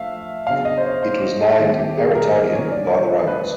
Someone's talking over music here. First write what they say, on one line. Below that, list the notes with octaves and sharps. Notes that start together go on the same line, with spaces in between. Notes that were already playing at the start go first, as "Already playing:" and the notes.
It was named Paraetonium by the Romans.
Already playing: F3 A3 E5 F5
C#3 F#3 B3 D4 F5
D#5
C5
C#5
C5
A4
D#3 G3 B3 E4 G4
G4
G#4
A#4
C#5
B2 G3 B3 D4 D5
C5
B4
B4